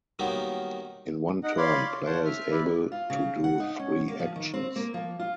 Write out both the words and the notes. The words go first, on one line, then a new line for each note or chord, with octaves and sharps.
In one turn, player is able to do three actions.
D#3 F#3 G3 A#3 B3 D#4
D#4 D#5 F#5
C#5 D5 F5 B5 C6 D6
F4
C5 C#5 F5 F#5 A5 C6
E5 F6
E4 B4 D5
F4
C#3
F#5
D#4
C#4
A#3
F3
D#3
C4
A#3
F3
F4